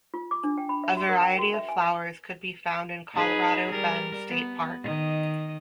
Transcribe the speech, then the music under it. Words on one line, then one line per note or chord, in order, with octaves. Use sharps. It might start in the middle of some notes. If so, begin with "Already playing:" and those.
A variety of flowers could be found in Colorado Bend State Park.
F4
D6
D4
G5
B5
E5
F#4
A#4
G5
F#4
E5
G#5
D#4 G#4 B4
G3 A#4
B3
D#3 D#5